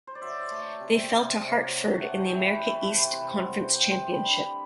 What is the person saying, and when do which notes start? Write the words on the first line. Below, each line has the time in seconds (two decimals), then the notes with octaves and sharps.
They fell to Hartford in the America East Conference Championship.
0.07 C5
0.15 D5
0.22 F#3 E5
0.50 A3
0.80 C3
1.09 C3
1.38 C3
1.67 F#3
1.95 A3 F#5
2.17 G5
2.24 E3
2.39 B4
2.53 A3
2.61 B4
2.82 C3 B4
3.11 C3 C5
3.40 C3 F#5
3.69 G3 G5
3.91 C6
3.98 G3
4.12 B5
4.27 D3
4.35 B5